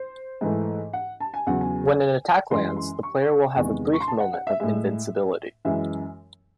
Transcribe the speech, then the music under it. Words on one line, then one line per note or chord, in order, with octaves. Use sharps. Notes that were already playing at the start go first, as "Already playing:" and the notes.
When an attack lands, the player will have a brief moment of invincibility.
Already playing: C5
G#2 E3 A3
F#5
A5
G#5
E2 C#3 F#3 F#5
G#5
F#2 E3 G#3 C6
C6
C#6
E2 C3 D#3 G#3
C#6
C6
A5
F#5
F#5
E5
A2 G#3 E5
F#2 E3 G#3 E5